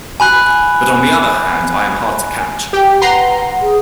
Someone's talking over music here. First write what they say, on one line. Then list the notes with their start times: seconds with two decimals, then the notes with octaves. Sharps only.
But on the other hand I am hard to catch.
0.20 G#5 B5 F#6
2.73 G4 G5
3.01 B4 F#5 A#5 C6
3.62 G#4